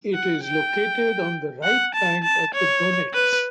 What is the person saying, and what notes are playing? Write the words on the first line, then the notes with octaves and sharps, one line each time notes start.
It is located on the right bank of the Donets.
F#5
G5
F#5
A5
A5
C#5
B4